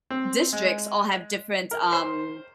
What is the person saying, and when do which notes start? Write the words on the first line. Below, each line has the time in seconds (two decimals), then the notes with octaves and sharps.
districts all have different, um
0.10 C4
0.53 G#3
1.71 A#4
1.93 C5